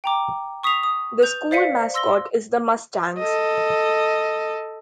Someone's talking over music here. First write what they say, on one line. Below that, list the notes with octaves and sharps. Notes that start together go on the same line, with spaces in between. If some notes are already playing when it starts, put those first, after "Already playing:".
The school mascot is the Mustangs.
G5 A#5 D6
C#6 D#6 B6 C7 F7
D#6
B4 G6 F7
C5 D5 F5 B6 C#7 D#7
C6 E6 A#6 G7
A4 D#5